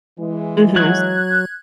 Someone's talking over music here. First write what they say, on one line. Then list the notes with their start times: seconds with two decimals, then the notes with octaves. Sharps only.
Mhm. S
0.18 E3 G#3
0.76 F#3 F#6 G#6